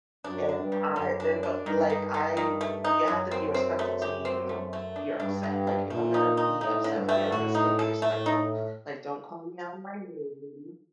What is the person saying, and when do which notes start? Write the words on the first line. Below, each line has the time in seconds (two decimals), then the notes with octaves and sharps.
And I there's a like I you have to be respectful to me even though you're upset. Like, if I'm gonna be upset with you, I'm gonna still be respectful. Like, "Don't call me out on my name.
0.24 F#2 D4
0.49 D4
0.61 G2
0.72 G3
0.95 F#2 G3
1.20 D4
1.43 D4
1.66 G2 D#3
1.90 D#3
2.14 D#3
2.37 D#3
2.61 A3
2.84 D#4
3.08 F#2 F#3
3.31 C4
3.54 C4
3.79 A3
4.02 G4
4.25 C4
4.49 A3
4.73 A3
4.96 D4
5.20 G2 D4
5.43 D3
5.67 D4
5.90 A#2 A3
6.14 D#4
6.37 D#4
6.61 A2 D#4
6.84 D3
6.97 G2
7.09 A3
7.32 A2 F#4
7.55 D#4
7.79 A4
8.02 A2 A3
8.26 D#4